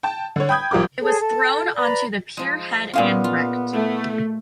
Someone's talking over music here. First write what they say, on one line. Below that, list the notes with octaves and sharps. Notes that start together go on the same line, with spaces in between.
It was thrown onto the pierhead and wrecked.
G5 A5
D3 C#5
G5 B5 D#6 G6 G#6
C2 F3 G4 A#4 D6
G#4 A4 C#5
A4
B4 D5 A#5 B5
F3 G#3
A#2 G#3 B3 C#4 F4 F5 G#5
F4
A3 E4